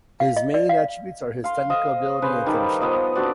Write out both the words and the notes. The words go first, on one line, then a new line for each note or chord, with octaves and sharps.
His main attributes are his technical ability and finishing.
F5
D#5
D5
F5
F5 C6
C5 D#5 F5
C#3 B4 C5
D#3 G3 A5
F3 B3 D#5
C4 D4 F#4 D5